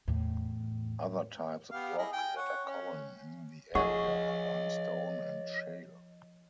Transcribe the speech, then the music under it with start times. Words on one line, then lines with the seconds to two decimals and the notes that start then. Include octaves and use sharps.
Other types of rock that are common in the area are limestone and shale.
0.08 E2 A2
1.71 B3 G4 F5
1.98 E4 G#4 D#5
2.13 G5 G#5
2.37 C#5 F#5
2.66 C#4
3.75 F3 G#4 C#5 D#5 F#5 C#6